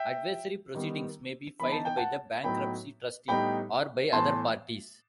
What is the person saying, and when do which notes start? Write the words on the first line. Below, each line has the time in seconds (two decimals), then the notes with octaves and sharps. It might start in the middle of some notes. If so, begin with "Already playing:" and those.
Adversary proceedings may be filed by the bankruptcy trustee or by other parties.
Already playing: E5 G5
0.75 D#3 G3 B3
1.60 E3 B3 D#4 B5
1.72 A5
1.85 G5
1.97 F#5 A5
2.44 A2 F#3 B3 D#4 G5 B5
3.28 A2 G3 B3 D#4 G5 B5
4.13 A2 E3 B3 A5 C6